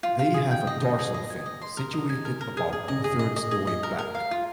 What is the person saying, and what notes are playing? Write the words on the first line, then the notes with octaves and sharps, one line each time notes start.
They have a dorsal fin, situated about two-thirds the way back.
F4
F4
G#4
G5
D#5
D#5
G#4
D#5
G#5
D#5
C6
A#4
D#5
G#5
A#4
A#4
G#4
G#4
D#5
G#4
D#5
D#5
G#4
D#5
A#4
A#4
F5
F4